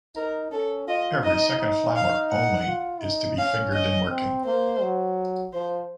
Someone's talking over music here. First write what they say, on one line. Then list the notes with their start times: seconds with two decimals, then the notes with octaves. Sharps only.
Every second flower, only, is to be fingered in working.
0.15 D#4 A#4
0.51 C#4 A4
0.87 F4 D#5
1.23 D#4 D#5
1.59 D#4
1.95 D#4 F5
2.30 F#5
2.67 F4
3.02 D#4
3.38 C#4 F5
3.74 D#5
4.09 C4
4.45 A#3 C5
4.81 F#3
5.53 F3 C5